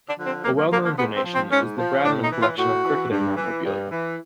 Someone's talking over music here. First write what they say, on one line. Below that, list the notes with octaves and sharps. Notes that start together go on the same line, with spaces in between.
A well known donation is the Bradman Collection of cricketing memorabilia.
D4
D3 F3
C4
F#2 A#3
A#3
D3 F3 A#3
A#3
G#2 B3
C4
F3
C4
G#2 C#4
F3
A2 D4
D#4
E3
F4
A2 F#4
E3
G2
E3
G2
E3